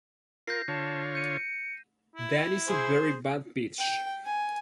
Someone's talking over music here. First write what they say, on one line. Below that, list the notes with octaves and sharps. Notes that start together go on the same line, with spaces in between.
That is a very bad pitch.
F4 A#4 G6 A#6 C7
D3 F4 C#5 A5
G6 C#7 D#7
E4
G#4 C5
G5
G#5